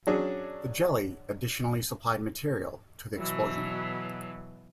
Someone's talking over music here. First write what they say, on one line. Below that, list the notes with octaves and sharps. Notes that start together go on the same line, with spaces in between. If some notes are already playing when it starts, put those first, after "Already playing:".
The jelly additionally supplied material to the explosion.
F#3 C#4 D4 G#4
B2 E3 F#3